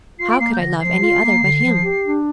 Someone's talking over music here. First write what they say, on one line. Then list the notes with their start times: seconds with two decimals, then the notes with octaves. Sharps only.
How could I love any other but him?
0.19 F4 C7
0.31 D7
0.39 A#3 C7
0.53 G6
0.60 D3 A#6
0.81 F3 C7
1.02 F4
1.22 A#3
1.43 D3
1.64 F3
1.84 G4
2.05 D4